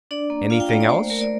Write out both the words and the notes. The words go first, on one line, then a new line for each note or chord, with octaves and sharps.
"Anything else?"
D4 D5
A#3
F4 F5
G5
A#3 F5
D5
A3 C5
A3 A#4
D5